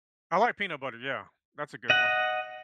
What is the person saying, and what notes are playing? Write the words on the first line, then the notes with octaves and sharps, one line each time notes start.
I like peanut butter, yeah. That's a good one.
D#5 F#5